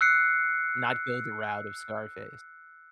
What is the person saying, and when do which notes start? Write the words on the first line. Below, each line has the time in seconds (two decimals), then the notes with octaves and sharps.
Not go the route of Scarface.
0.01 E6 F#6 C7 C#7